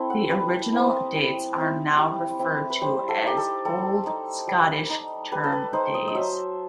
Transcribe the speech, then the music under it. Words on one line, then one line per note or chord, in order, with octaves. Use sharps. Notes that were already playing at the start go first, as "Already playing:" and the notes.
The original dates are now referred to as "Old Scottish Term Days".
Already playing: C4 E4 A4
F#5
G3 B4
C4 E4
C5
D#5
G3
C4 E4
G3
C4 E4
B4
G3 C5
A4
D#4 G4
A4
G3 A4
D#4
G3
D#4
G3 B4
A4
B4
D#4 C5
D#5
D#5
F#3 E5